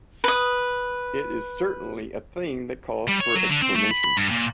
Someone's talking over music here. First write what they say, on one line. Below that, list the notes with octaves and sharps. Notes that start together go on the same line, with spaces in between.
It is certainly a thing that calls for explanation.
B4 D#6
G3
C#5
F#3
D3
C4
A3
B5
B5
G2
A#2